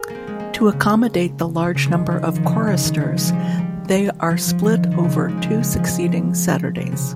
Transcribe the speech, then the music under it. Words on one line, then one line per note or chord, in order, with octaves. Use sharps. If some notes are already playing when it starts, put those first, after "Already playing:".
To accommodate the large number of choristers, they are split over two succeeding Saturdays.
Already playing: G#4 A#4
A#3
C4
G#3
A#3
C#3
C#3
D#3
F3
D#3
C#3
D#3
C#3
D#3
F3
G#3
F3
G3
G3
F3
F3
D#3
D#3
C#3
F3
G#3
C4
A#3
G#3
F3
F3
C3
C#3